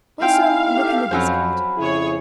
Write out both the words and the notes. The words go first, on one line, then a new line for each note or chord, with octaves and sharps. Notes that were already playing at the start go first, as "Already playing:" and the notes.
Also look in the discard.
C4 D#4 E4 F5 G5 G#5
G4 A4
F2 F#3 C#4 C5 B5
F2 C#3 E4 G#4 C#5